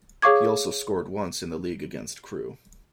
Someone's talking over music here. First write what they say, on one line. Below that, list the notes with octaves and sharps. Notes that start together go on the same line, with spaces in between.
He also scored once in the league against Crewe.
G#4 C#5 F5 C#6 D6 G#6